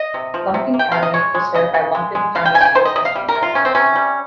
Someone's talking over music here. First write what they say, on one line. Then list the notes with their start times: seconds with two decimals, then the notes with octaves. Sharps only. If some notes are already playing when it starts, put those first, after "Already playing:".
Lumpkin County is served by Lumpkin County School System.
Already playing: D#5
0.14 C3
0.34 F3
0.54 C3
0.74 A#3
0.79 G5
0.92 C3 F5
1.03 D#5
1.14 G#3 C#5
1.34 G#3
1.54 C#3 D#5
1.74 C#3
1.95 G#3
2.15 G#3
2.35 C#3 F5
2.45 G5
2.54 C#3 G#5
2.61 G5
2.65 G#5
2.75 D#3 C5
2.85 D#5
2.96 C3 D#5
3.05 F5
3.15 G3
3.28 A#4
3.35 C3
3.42 F4
3.55 D#3 C#4
3.65 C4
3.75 C3 C#4
3.96 G3